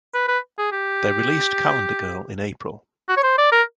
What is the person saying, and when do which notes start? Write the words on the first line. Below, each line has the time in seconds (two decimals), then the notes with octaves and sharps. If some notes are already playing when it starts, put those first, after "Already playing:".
They released "Calendar Girl" in April.
0.14 B4
0.28 B4
0.58 G#4
0.72 G4
3.09 F#4
3.17 C#5
3.23 C5
3.38 D5
3.52 A#4